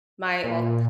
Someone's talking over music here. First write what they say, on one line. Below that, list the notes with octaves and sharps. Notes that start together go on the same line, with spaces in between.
my, well
A#2